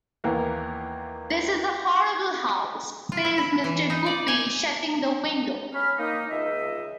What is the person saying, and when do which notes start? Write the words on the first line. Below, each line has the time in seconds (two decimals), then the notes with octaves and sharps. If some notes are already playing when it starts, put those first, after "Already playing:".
"This is a horrible house," says Mr. Guppy, shutting the window.
0.24 D#2 E3 A#3 B3
3.12 F4
3.25 E4
3.38 E4
3.64 E3
3.90 D#4
4.06 D5
4.28 G#5
5.73 C#4 B5 F6
5.98 A#3 D#4
6.29 C#2 D#5 E5